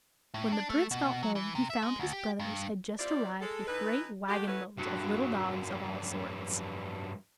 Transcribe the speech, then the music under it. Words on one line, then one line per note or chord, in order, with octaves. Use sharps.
When the Prince got home he found his brothers had just arrived with great waggon-loads of little dogs of all sorts.
A2
D4
A3
B2
F#3
E3
C3
E5
G#3
D2
G4
G2
G3 C4 E4 F4 D5
G#3 A4
E3 D#4 A4 B4
G#3 A3 F#4 G4
F#3 A3 C#4 E4 F#4 B4
G2 F#3